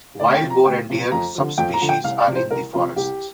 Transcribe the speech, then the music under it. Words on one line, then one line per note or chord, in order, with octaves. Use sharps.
Wild boar and deer subspecies are in the forests.
D2 D5
G5
C3 F3
A#5
D2 G5
C3 F3
F2 A#5
D3 F3
F2 G5
A#5
D3 F3
G5
C2 F5
D5
C3 F3
C5
C2 A#4
C3 F3 F4
C2 G4